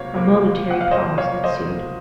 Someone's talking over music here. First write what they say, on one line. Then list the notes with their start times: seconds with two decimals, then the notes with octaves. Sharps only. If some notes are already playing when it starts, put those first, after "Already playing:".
A momentary pause ensued.
Already playing: C#2 C3 F#3 A#3 C#5 F5
0.13 C#2 C3 F#3 A#3
0.71 F#5
0.81 F5
0.91 C#2 C3 F#3 A#3 C5 D#5
1.18 C#5 F5
1.44 C5 D#5
1.70 C#2 C3 F#3 A#3